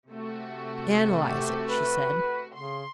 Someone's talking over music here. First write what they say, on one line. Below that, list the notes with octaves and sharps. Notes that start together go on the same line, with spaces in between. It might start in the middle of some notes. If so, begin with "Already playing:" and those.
"Analyse it," she said.
C3 A3 F#4
G4
B4
C#3 C6